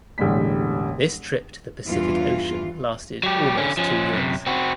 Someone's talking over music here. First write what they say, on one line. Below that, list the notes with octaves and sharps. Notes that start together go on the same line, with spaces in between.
This trip to the Pacific Ocean lasted almost two years.
E1 A1 D3 G3 G#3 B6
E2 G2 E3 F4
F#3 G4
D3 C#4
F3 C#4
F#2 C3
C4 F#4